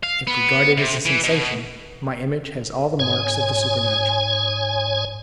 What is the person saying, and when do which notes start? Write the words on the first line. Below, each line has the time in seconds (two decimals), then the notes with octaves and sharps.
If regarded as a sensation, my image has all the marks of the supernatural.
0.03 F5
0.27 B3
0.77 C3
1.05 E3
1.23 B2
2.99 G#2 C#5 G#5